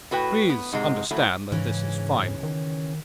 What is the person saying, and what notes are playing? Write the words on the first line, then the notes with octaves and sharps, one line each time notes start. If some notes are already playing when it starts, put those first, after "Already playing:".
Please understand that this is final.
A2 F#4 B4 G5
B3
G#2 C3 G#3
A2 F#3 A3
G#2 C#3 E3 C#4
D#3